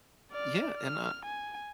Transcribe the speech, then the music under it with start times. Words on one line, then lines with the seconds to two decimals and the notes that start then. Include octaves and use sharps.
Yeah, and, uh
0.32 D5 F6
0.77 F6
1.26 G#5